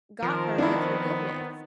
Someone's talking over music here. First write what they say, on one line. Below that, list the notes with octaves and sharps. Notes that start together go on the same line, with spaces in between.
got her was forgiveness.
D#3 F3 C4 A#4
B3 D4 E4